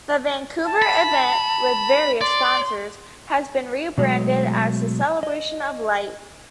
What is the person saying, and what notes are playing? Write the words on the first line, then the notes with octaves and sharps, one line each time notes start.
The Vancouver event, with various sponsors, has been re-branded as the "Celebration of Light".
A5
B5
D5 C6
B2 F#3 G#3 A3
D#5